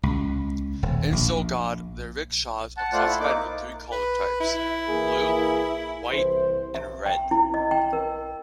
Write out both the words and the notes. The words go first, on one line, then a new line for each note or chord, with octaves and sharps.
In Sogod, the rickshaws are classified into three color types: blue, white and red.
C#2
D#1
A#1
F#5 A5
A3 F4 C5 D5 F#5 F#6
E4
A#3 D#4 D6
B4
E4
E3 A#3 G#4
C2 E3 C5
E5
G5
E4
D#5
G5
A#4